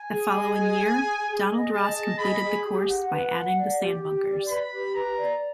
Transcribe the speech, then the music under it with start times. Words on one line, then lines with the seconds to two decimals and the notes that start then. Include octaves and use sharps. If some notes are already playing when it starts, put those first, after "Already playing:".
The following year, Donald Ross completed the course by adding the sand bunkers.
Already playing: G#5
0.12 G#4
0.34 D#5
0.58 G#4
0.80 G#4
1.03 G#4
1.27 G#4
1.49 D#5
1.72 G#4 A5
1.95 D#5
2.18 G#4 B5
2.41 G#4
2.64 G4
2.88 F#5
3.10 B4
3.33 F#5
3.57 D5
3.80 G4
4.02 G4
4.26 D5
4.48 B4 B5
4.72 G4
4.94 B4 A#5
5.17 D5